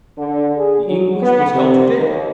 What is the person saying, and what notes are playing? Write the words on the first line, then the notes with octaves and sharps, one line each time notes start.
The inquest was held to-day.
D3
G#4
F#3
B3
C3
D#2